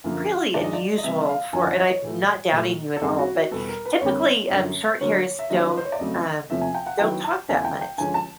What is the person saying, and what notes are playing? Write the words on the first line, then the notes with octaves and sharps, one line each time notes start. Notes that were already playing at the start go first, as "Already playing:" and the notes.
really unusual for and I'm not doubting you at all, but, typically, um, shorthairs don't, um don't talk that much,
F#2 D3 F3 A#3
G2 D#3 G#3 D5
D#5
D5
D#5
C3 E3 G3 B3 E5
F5
F#2 D3 F3 G#5
F#5
D#5
C#5
A2 E3 A3
A#2 F#3 A3
A4
F#2 D#3 G3 C4 G#4
F#4
F#4
E2 B2 G3 B3 A4
A#4
B4
F2 D3 G3 A#3 C#5
F#2 D3 F#3
D3 F#3 A#3 C#5
E5
D#3 F#3 A#3 C#4 D#5
B4
C5
C#5
D5
F2 C#3 F#3 A3 D#5
E2 C3 F3 A3 C#4 E5
G#5
G5
F#5
D#3 F#3 B3 E4 G5
A5
E2 C#3 E3 A3 G#5
G5
G5
G2 D3 F3 G#3 C#4 G#5
A5